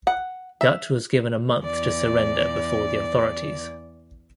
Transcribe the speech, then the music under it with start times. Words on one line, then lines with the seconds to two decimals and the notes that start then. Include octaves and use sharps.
Dutt was given a month to surrender before the authorities.
0.07 F#5
0.61 E5
1.62 E2 D5